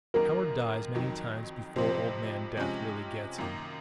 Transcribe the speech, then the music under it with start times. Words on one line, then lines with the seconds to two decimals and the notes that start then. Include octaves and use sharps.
A coward dies many times before Old Man Death really gets him.
0.14 F#2 D#3 F#3 A#3 A#4
0.95 F2 D#3 F#3
1.76 F2 C3 F3 C5
2.57 C3 F3 G#3 C#4
3.38 F#2 D#3 A#3 D#4